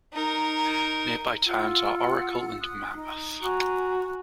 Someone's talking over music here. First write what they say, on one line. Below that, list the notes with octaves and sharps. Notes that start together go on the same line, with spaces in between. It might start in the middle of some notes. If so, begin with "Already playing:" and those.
Nearby towns are Oracle and Mammoth.
D#4 A#4
F4 F#5 E6
D#6 F#6
D#4
F#4 G#5 A#5